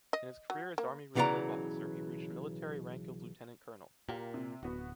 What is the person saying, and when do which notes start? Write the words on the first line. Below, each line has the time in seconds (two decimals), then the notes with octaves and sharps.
In his career as army reserve officer he reached military rank of lieutenant colonel.
0.13 D#5
0.50 F#3
0.78 A#3
1.15 B1 C#3 E3 F#3 D5 A#5
4.09 A#2 G4 A#4 F5
4.34 C3
4.63 D1 B3 F#4